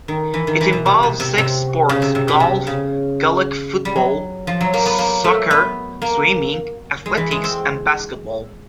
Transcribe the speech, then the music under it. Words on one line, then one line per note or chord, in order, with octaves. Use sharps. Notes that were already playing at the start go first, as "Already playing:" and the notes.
It involves six sports; golf, gaelic football, soccer, swimming, athletics and basketball.
D#3
E3
D#3
E3
B2
C3
B2
C3
C3
C#3
C3
C3
B2
C3
C#3
G3
F#3
F3
F#3
A#3
B3
A#3
A3
B3
A#3
G#3
E3
G#3
C4